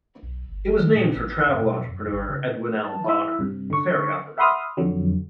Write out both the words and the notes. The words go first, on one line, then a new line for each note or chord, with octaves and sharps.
It was named for travel entrepreneur Edwin L. Bonner, a ferry operator.
B1
G1
D#3
A#2
A1
G2
B2
F#2
G#1
C#3
A5
E4 E5
G2 C3
D3 C#6
E5 F#5 B5 C6 D#6 F6
F2 D3 F#3